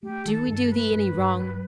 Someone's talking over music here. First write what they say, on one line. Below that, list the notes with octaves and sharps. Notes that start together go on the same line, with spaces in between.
Do we do thee any wrong?
A3 G4
D#3 A4
G2 A4
A3 B4
G2
G2
F#3